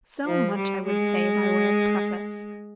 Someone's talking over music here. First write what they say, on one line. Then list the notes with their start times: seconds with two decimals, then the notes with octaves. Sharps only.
So much I would say by way of preface.
0.26 F3
0.56 G3
0.86 G#3